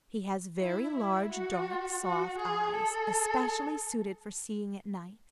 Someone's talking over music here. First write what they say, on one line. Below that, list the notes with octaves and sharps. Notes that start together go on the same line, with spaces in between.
He has very large, dark, soft eyes, especially suited for seeing at night.
E4
E4
F#4
F#4
G#4
A4